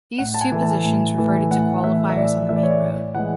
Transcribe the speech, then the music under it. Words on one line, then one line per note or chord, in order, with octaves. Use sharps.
These two positions reverted to qualifiers on the main Road.
A2 F#5
A5
G#5
E3 A3
A5
A2
E3 A3
A2 F#5
E3 A3 E5
E5
A2 D5
E3 A3 E5
D5
C#5
D5
A2
E3 G#3 F#5